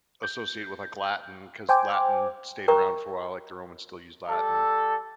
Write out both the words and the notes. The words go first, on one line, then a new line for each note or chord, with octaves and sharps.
associate with, like, Latin, 'cause Latin stayed around for a while, like, the Romans still use Latin.
G6
C5 G5 G#5 D6
A#4 D#5 G5 A#5 C#6
G3 A4